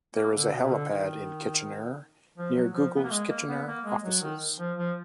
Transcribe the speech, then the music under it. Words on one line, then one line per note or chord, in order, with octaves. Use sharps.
There is a helipad in Kitchener near Google's Kitchener offices.
A#3
D3
B2
B2
D3
D#3
F3
F#3
F3
B3
A#3
G#3
A#3
B3
A#3
G#3
F#3
D#3
F3
F3